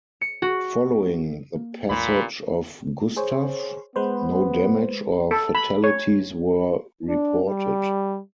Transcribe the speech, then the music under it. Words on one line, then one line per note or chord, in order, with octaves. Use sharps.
Following the passage of Gustav, no damage or fatalities were reported.
C#7
F#4
A#3
D2 G2 A#2 B5
G#4 C5 C#5
G#3 B3 B4 C5
A4
B5
C#5
D4
G3